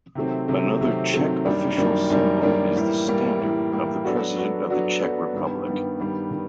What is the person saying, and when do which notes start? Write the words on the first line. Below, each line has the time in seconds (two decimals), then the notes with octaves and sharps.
Another Czech official symbol is the Standard of the President of the Czech Republic.
0.15 C3 D#3 F#3 A3 C4
0.48 C3 D#3 F#3 A3 C4
0.81 C3 D#3 F#3 A3 C4
1.13 C3 D#3 F#3 A3 C4
1.45 F#2 D#3 G3 A#3 D4
1.77 F#2 D#3 G3 A#3 D4
2.10 F#2 D#3 G3 A#3 D4
2.42 F#2 D#3 G3 A#3 D4
2.75 A2 E3 G3 A#3
3.06 A2 E3 G3 A#3
3.39 A2 E3 G3 A#3
3.71 A2 E3 G3 A#3
4.05 F#3 B3 D4 F#4 A4
4.36 F#3 B3 D4 F#4 A4
4.69 F#3 B3 D4 F#4 A4
5.01 F#3 B3 D4 F#4 A4
5.34 G2 D#3 G3 B3
5.66 G2 D#3 G3 B3
5.99 G2 D#3 G3 B3
6.32 D#3